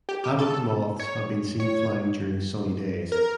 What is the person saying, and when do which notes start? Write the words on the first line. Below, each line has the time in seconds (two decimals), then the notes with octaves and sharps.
Adult moths have been seen flying during sunny days.
0.09 G4
0.24 G4
0.39 A4
0.99 C#5
1.60 C#5
3.12 A#4